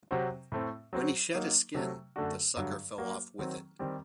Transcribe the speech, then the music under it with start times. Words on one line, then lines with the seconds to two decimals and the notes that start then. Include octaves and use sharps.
When he shed his skin, the sucker fell off with it.
0.11 C3 F#3 C4 F#4 C5
0.52 A2 A3 C4
0.93 F#3 C4 F#4 C5
1.34 F#3 A#3 D#4
1.74 C3 F#3 A3
2.16 F#2 D3 A3 D4 F#4
2.57 G2 D3 F#3
2.98 F#3 A#3 F#4
3.39 D#3 F#3 C4
3.79 D#3 G3 C4 G4